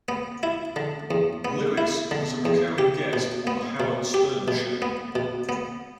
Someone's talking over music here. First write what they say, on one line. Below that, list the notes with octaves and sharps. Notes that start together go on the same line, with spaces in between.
Lewis was a recurring guest on "The Howard Stern Show".
B3
E4
D3
E2
B3
E4
D3
E2
G4
B2
B3
B2
G4
B2
B3
B2
B3